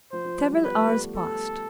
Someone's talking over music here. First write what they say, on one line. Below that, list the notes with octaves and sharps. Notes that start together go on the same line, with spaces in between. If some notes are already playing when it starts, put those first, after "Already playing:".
Several hours passed.
F3 C5
F3
G3
G3
B3 B4
A3
G3
A3
A4